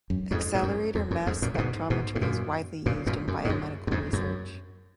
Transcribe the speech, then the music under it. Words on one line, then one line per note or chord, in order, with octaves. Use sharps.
Accelerator mass spectrometry is widely used in biomedical research.
F#2
F2 G#2
G#2
F#2
F2
F#2
F2 G#2
F#2 A#2
C#3
G#2 B2
G#2 B2
G#2
F#2 A#2
F#2 A#2
F#2 A#2
F#2
G#2
F#2
F#2
F2 G#2
F#2